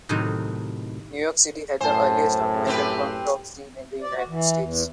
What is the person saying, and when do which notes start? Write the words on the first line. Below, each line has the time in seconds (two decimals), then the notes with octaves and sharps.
New York City had the earliest documented punk rock scene in the United States.
0.09 A2 C3 D#3 F#3 D#4
1.81 F#2 A2 C5 G#5 A5
2.67 C4 G4 B4
4.01 D5
4.15 F#4
4.28 E3
4.60 E2